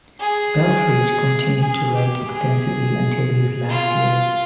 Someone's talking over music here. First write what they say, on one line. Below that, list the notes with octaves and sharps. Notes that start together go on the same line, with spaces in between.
Belfrage continued to write extensively until his last years.
G#4
G#4
G4
G#4
F4